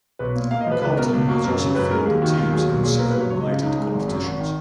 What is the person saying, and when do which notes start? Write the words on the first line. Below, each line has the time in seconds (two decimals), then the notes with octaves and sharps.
Carlton has also fielded teams in several related competitions.
0.19 B1 B4
0.35 A#2
0.51 A#3 F5
0.61 D#5
0.67 F3 B4
0.81 C#2 B4
0.97 B2 A#4
1.13 C#2
1.28 A#3 F#4
1.44 F#2 A#4
1.59 C#3
1.75 F#2 B4
1.91 G#3 A#4
2.06 D#2 G#4
2.21 D#3 F#4
2.37 D#2 F4
2.53 F#3 G#4
2.68 B1 A#4
2.83 A#2 G#4
2.99 A#3 A#4
3.10 B4
3.15 F#3 C#5
3.30 C#2 C#5
3.41 D#5
3.46 C#3 F4
3.61 C#2 D#4
3.78 G#3
3.93 G#1
4.08 F#2
4.23 G#1
4.39 D#3